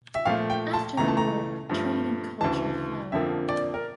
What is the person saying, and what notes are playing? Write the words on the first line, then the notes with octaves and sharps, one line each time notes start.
After the war, trade and culture flowered.
E5
A#2 F3 A3 F5
G5
A5
C#2 C#3 E3 A3 A#5
A5
A#5
G2 F3 A3
D2 C#3 E3 A5
F2 D3 F3 A#3 E5
D5
A#4